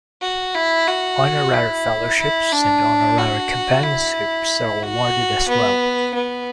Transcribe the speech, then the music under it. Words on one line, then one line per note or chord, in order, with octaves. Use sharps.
Honorary Fellowships and Honorary Companionships are awarded as well.
F#4
E4
F#4
E4
E4
D4
F#4
E4
F#4
B3
B3